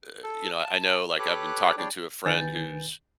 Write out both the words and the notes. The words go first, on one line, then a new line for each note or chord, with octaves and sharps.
uh, you know, I know, like, I've been talking to a friend who's
A4
A5
G4 A4 B4 C#5 D6 F#6
G3 D4 G#4 C#5 D5 G5
C2 D#3 B4 G#5 G6 A6